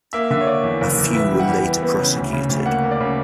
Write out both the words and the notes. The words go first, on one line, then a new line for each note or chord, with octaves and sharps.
A few were later prosecuted.
A#3 E5
D3 E5
C#5
A#3 D5
E2
F#1
E2
B3 E5
G3
F#5
E2
B3
B3
C#3
D2
C#3
D2
A#3 F#5
A#3
D5
C#3